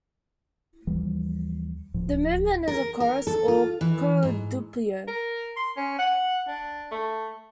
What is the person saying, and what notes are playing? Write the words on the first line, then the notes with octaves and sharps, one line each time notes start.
The movement is a chorus, or "coro doppio".
D#2 E3 F3 G3
D1 C#2 A2 F3
A#4
A#4
A4
F4
E3
G#2
A#4
C6
C#4
F#5
D4
A3